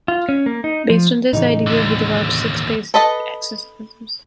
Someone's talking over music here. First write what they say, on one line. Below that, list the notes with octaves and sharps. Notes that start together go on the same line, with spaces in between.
Based on this idea he developed six basic exercises.
F4
C#4
A#3
D#4
F3
A2 C#3 E3 D#4
D#2 D3
A4 B4 D#5 A5